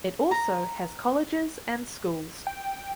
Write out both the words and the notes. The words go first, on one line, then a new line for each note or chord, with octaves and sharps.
It also has colleges and schools.
A#5
G5